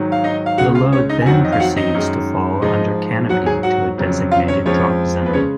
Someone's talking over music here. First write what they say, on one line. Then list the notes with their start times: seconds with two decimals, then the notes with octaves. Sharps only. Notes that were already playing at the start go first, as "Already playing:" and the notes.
The load then proceeds to fall under canopy to a designated drop zone.
Already playing: G#2 D#3 F#3
0.12 F5
0.24 D#4 D#5
0.46 F5
0.58 C#2 C#3 G#3 F#4 F#5
0.75 F4 F5
0.92 C#4 C#5
1.09 D#4 D#5
1.22 G#5
1.26 F2 D#3 F#3 F#4 F#5
1.45 D#5
1.52 F5
1.60 F#4 F#5
1.77 D#4 D#5
1.94 F#2 D#3 G#3
2.62 G#2 F3 G#3 D#4 D#5
3.29 G#2 F#3 F#4 F#5
3.46 G#4 G#5
3.63 F#4 F#5
3.98 F2 C#3 F#3
4.31 F4 F5
4.48 C#4 C#5
4.66 F2 F3 G#3 C#4 C#5
5.26 B4
5.33 C#3 G#3 C#4 C#5